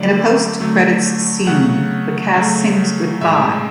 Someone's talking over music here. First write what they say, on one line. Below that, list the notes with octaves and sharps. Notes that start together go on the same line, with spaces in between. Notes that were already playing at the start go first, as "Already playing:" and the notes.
In a post-credits scene, the cast sings Goodbye!
Already playing: D3 F#3 A3 D5
D3 F#3 A3
C#3 F#3 A3 F#5
C#3 F#3 A3
A2 G#3 E5